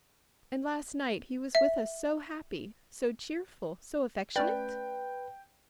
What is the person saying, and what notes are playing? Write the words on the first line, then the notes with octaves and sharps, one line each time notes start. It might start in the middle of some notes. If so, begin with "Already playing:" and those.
And last night he was with us so happy, so cheerful, so affectionate?
E5
A3 C#4 B4 D5 G5